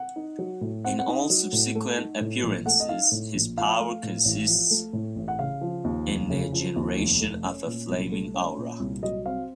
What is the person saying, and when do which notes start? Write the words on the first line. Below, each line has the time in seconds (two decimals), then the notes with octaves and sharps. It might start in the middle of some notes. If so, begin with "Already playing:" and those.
In all subsequent appearances, his power consists in the generation of a flaming aura.
Already playing: F#5
0.16 D#4
0.39 F#3
0.61 A2
0.84 C4 F#5
0.99 F#5
1.07 D#4
1.30 F#3
1.53 A2
1.75 A3
1.97 D#4
2.21 A2
2.44 A#1
2.66 A3 F#5
2.80 D#5
2.89 D#4 F5
3.12 A2
3.35 A#1
3.57 F3 F5
3.80 A3
4.03 A2
4.25 A1
4.48 F3
4.71 A3
4.93 A2
5.16 A1
5.28 F#5
5.39 C#3 F5
5.61 F3
5.84 D#2
6.07 F1
6.30 C#3
6.53 F3
6.76 D#2
6.98 F1
7.21 A3
7.44 C#4
7.66 A#2
7.89 C2
8.12 A3
8.34 C#4
8.58 A#2
8.80 C2
9.03 F#3 D#5
9.25 C4 F5